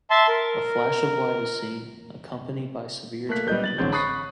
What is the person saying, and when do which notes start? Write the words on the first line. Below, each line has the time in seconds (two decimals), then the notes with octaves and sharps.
A flash of light is seen, accompanied by severe turbulence.
0.10 E5 A5 C6
0.28 A#4
3.29 A3 A#3 F#6 B6
3.48 G3 B3 D#5 G6
3.64 A6 F#7
3.78 A1 D3 C4 G#4 C#5 G6
3.92 B5 C#6 D#6 F#6 A6 C7